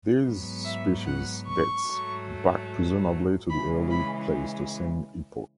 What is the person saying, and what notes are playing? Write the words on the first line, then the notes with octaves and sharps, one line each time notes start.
This species dates back presumably to the early Pleistocene epoch.
G#2 F#3 B3
E5
F#5
C#6
G#2 F#3 A3
C#3 E3 G#3 B5
B5